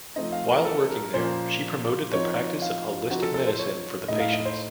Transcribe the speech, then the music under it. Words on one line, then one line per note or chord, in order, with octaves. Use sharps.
While working there, she promoted the practice of holistic medicine for the patients.
F3 A3 C4 D#4 D#5
F5
A#4
A4
A#4
A#2 F3 A#3 C#4 C5
F3 C4 D#4 C#5
F5
F3 C4 D#4 F#4
A4
A4
C5
C#5
A2 A3 D#4 D#5
F5
D#5
C5